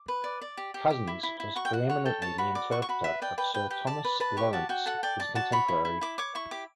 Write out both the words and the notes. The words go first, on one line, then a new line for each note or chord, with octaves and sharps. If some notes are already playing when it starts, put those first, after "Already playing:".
Cousins was preeminently the interpreter of Sir Thomas Lawrence, his contemporary.
Already playing: D6
B4
D5
D5
G4
G4
G4
E4
E4
E4
F#4 C#6
G5
F#4 F#5
C#5 F#5
A4 G5
C#5 A5
F#4 B5
D5 D6
F#4 C#6
C#6
F#4 B5
B4 E5
D5 G5
B4 G5
B4 G5
G4 G5
D5 A5
B4
B4 A5
G4 C#6
F#4 A5
F#4 G5
A4 F#5
D5 G5
D5 A5
F#4 A5
C#5 B5
E4
E4
E4 D6
C#5 D6
E4 C#6
G4 D6